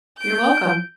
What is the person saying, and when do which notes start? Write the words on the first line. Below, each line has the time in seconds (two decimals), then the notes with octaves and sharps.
You're welcome.
0.18 G6 D7